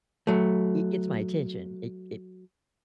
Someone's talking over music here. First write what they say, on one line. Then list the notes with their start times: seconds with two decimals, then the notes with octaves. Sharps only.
it gets my attention. It it
0.27 F#3 A3